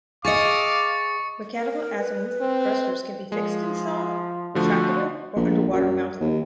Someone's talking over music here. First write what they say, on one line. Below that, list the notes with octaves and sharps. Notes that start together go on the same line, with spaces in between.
Mechanical azimuth thrusters can be fixed installed, retractable or underwater-mountable.
G#4 D#5 F5 C#6 D6 A6 C#7
A#4
B4
C4
F3 G#3
D3 F3 A3 F#4
A#1
F#2
D#2